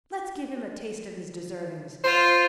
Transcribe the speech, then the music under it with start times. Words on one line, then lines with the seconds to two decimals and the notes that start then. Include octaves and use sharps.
Let's give him a taste of his deservings!
2.04 F4 C5